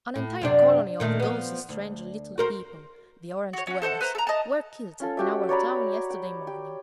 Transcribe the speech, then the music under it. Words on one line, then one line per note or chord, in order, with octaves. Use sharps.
An entire colony of those strange little people, the Orange-dwellers, were killed in our town yesterday morning.
A2
F#2 C3 D4
A#2 D#3 A3
F3 B3
D2
F#4 A#4 C5
F#4 C#5
C#4 F#4
A4 C5 D#5 F#5
B4 C5 A#5
A4 A#5
D#5 A5
C#4 F4 A4
F#4 G4 E5
C#5 D5 A#5 B5
G5
G4